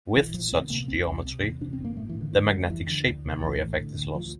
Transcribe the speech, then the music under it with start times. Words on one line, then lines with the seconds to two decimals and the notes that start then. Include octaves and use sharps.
With such geometry the magnetic shape memory effect is lost.
0.16 A#1 E3
0.34 A#2 F3
0.53 D2 C4
0.70 C3 A#3
0.88 C2 C4
1.06 C2
1.25 C3
1.43 E2
1.61 C3 D4
1.73 C4
1.79 G1
1.85 A#3
1.97 A2 A3
2.09 E3
2.15 A2
2.21 D3
2.33 D2 E3
2.51 D2 G3
2.70 F2 E3
2.87 D3
3.06 D2
3.24 C3
3.42 A#1 E3
3.60 A2
3.78 D3
3.97 D2
4.15 F3